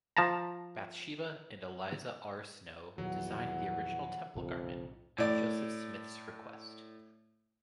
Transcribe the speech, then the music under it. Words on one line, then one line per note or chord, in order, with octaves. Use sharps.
Bathsheba and Eliza R. Snow designed the original temple garment, at Joseph Smith's request.
F3 A5 A#5
E2 A#2 D#3 F3 F#3 F#5
B1 F2 A2 C#3
A2 D5